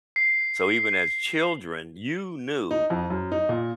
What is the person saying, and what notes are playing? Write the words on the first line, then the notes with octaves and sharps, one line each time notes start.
so even as children, you knew
C7
D#4
F2
F#2
D#4
A#2